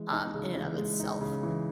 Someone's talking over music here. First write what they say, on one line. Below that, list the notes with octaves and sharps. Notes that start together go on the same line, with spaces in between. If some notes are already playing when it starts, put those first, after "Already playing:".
um, in and of itself.
Already playing: E3 G#3
D#4
C#3
E3
G#3
D#4
C#3
E3